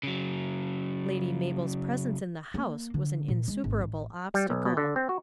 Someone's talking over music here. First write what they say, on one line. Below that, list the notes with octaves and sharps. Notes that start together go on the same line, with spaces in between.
Lady Mabel's presence in the house was an insuperable obstacle.
C#3 F#3
A#3
D3
A#2
G#3
G#1
A1
G3
B1
B2
D3
C4
F#4